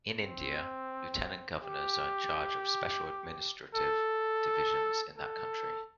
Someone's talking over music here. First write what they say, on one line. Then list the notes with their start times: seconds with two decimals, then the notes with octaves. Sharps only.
In India, lieutenant governors are in charge of special administrative divisions in that country.
0.21 C4
1.63 G4
3.75 A4
5.18 A4